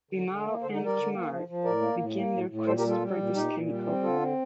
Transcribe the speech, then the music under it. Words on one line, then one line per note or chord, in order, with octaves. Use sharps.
Bimal and Kumar begin their quest for this chemical.
D3
D3
A#3
D3 A4 C5
D#4
G3
A#4 D5
D3
A#3
F3
F3
A2 A#4 D5
A#3
A2
A#3
A2
A2
A#2 A4 C5
G4 A#4
G3
F4 A4
G3
A#2
A#2 D#4 G4
A#2
G3
C4
D3 F4 A4
C4